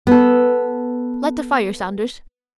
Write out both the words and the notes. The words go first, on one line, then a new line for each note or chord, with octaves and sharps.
Light the fire, Saunders.
B3 A4